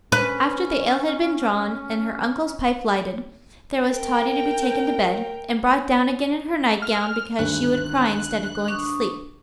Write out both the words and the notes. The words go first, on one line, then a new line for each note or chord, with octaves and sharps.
After the ale had been drawn and her uncle's pipe lighted, there was Totty to be taken to bed, and brought down again in her night-gown because she would cry instead of going to sleep.
C#4 B4
A#4 G5
F6
G#1 D2 G2 F#6
D4 C#6 D#6